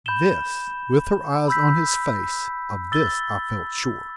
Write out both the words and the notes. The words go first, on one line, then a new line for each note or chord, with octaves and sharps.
This, with her eyes on his face, of this I felt sure.
B5 G6 E7 G7
B5 E6 G6 B6
E6 A6 G7